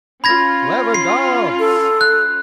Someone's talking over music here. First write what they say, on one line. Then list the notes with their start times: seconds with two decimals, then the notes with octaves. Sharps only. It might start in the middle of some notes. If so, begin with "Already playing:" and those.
Clever dogs!
0.24 C#4 F4 B5 G#6 A#6
0.94 C7
1.59 A4
2.01 F#6